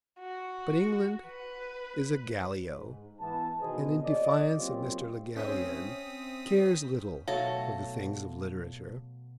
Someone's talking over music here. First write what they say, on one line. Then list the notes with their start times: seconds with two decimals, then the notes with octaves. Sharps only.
But England is a Gallio, and in defiance of Mr. Le Gallienne, cares little for the things of literature.
0.20 F#4
1.27 B4
2.75 G#2
3.21 E3 B3 A5
3.61 B2 D#3 B3 G#4 C5 D#5
4.02 A#2 C#4 D5 D#5
4.57 A#2 F#3 C4 C#4 F4 G4
5.36 C4 C#4 C5 C#5 E5 D#6 B6
7.28 B2 F#3 A3 F5 A5